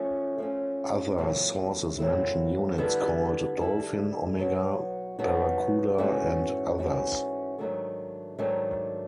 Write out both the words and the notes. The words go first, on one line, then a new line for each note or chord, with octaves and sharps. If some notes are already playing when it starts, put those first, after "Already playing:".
Other sources mention units called "Dolfin", "Omega", "Barrakuda", and others.
Already playing: F3 A3 C#4
F3 A3 C#4
A#2 F#3 A3 C4 E4
A#2 F#3 A3 C4 E4
D3 G3 B3 E4 A4
D3 G3 B3 E4 A4
B2 F#3 B3 D#4 F#4
B2 F#3 B3 D#4 F#4
G#2 E3 A3 C#4 F#4
G#2 E3 A3 C#4 F#4
G#2 D#3 F#3 A3 D4
G#2 D#3 F#3 A3 D4